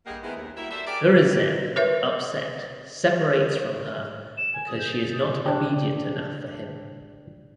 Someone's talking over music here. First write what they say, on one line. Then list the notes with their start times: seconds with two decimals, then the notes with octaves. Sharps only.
Urizen, upset, separates from her because she is not obedient enough for him.
0.06 G2 A#3 G4 G#4 D#5 F#5
0.24 D#3 G#3 B3 C4 D#4 E4
0.36 D#2
0.57 G3 E4 F#4 A#4 E5
0.71 A4 C5 D5 E5
0.87 G4 G#4 A#4 D5
1.76 A#4 B4 C#5 E5
4.37 E7
4.54 G#5
4.67 D#6
4.79 G6
4.92 A6
5.13 D#6
5.46 D4 G4